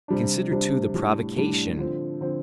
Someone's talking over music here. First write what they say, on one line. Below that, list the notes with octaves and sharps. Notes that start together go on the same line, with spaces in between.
Consider, too, the provocation!
C3 G3 D4
C3 G3 D4
A2 G3 D4
A2 G3 D4
D3 F3 C4
D3 F3 C4